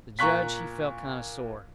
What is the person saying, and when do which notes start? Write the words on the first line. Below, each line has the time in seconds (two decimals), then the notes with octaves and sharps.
The judge he felt kind of sore.
0.19 A#2 A#5 C#6 F#6 B6